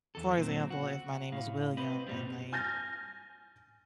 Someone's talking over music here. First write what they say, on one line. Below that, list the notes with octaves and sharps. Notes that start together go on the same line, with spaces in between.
For example, if my name was William and, like,
E2 A4
A#2 F#3 C4
F#4
A2 F5
C4 B4 D#5 B5
G2 A#2 G3 C4
G#5 F6 G6 A6 A#6